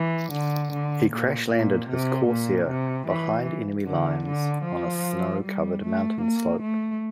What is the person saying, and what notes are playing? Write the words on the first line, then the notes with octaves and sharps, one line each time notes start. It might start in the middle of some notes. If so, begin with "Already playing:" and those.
He crash-landed his Corsair behind enemy lines on a snow-covered mountain slope.
Already playing: E3
D3
D3
A#2
A#2
C3
A#2
C3
E3
D3
D3
F3
G3
A3
A#3
A3